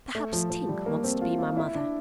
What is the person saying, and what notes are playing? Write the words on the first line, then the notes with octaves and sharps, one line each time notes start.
'Perhaps Tink wants to be my mother?'
A3
F3
F3
G3
A#3
C4
F4
F4
E4
D4